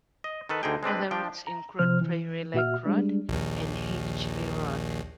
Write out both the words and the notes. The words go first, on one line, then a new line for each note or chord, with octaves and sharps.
Other routes include Prairie Lake Road and Hingeley Road.
D#5
D#3 A4 B4
D2 D3 D#4 G#4 G5
G#3 C4 D4 B4
F3 D4 G5
A#5
C3 F3 C5 F6
E3
A#2 F#4 E5 F6
G3 G#3 D4
A#1 D#2